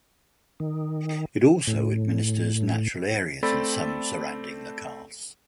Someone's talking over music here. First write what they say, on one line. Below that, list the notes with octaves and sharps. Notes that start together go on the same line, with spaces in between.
It also administers natural areas in some surrounding locales.
D#3
A2
A3 C4 A4 D5 B5 A6